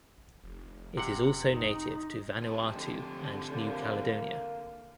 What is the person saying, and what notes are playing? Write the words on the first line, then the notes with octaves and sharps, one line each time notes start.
It is also native to Vanuatu and New Caledonia.
F1
C3 F#5
D#4
C3 F3
D3
A#3